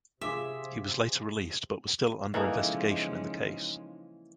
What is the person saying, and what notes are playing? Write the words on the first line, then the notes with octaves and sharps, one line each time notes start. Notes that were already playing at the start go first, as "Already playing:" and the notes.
He was later released but was still under investigation in the case.
C3 F4 G#4 E5 D6
C#3 E3 F3 G#3 A#3 D#4 A4